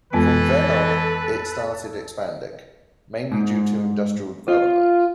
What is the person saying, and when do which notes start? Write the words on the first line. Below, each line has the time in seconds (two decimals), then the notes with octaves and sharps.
From then on it started expanding, mainly due to industrial development.
0.13 F2 E3 G#3 B3 A4 B4
3.31 G#2
4.48 F4